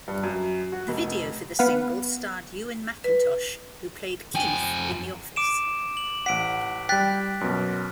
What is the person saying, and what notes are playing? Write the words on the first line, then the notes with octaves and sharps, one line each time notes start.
The video for the single starred Ewen Macintosh, who played Keith in "The Office".
G2
F#2
F#4
F1
B3 B4 F5 F#5
B4
F2 G5 G#5
D6 D7 E7
F#7
A1 F#5 B6 D7
G3 G5 F#6 A6 B6
F#2 B2